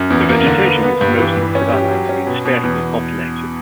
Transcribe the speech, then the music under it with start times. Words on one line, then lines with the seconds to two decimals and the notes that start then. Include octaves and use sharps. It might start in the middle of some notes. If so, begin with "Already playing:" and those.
The vegetation is mostly savanna, and is sparsely populated.
Already playing: F#2
0.10 E2
0.29 A#3
0.47 D3
0.65 B3
0.83 B3
1.01 G2
1.19 E3
1.37 G2
1.55 C#4
1.73 G4
1.91 F#3
2.09 C#4
2.27 B2
2.45 B2
2.63 E2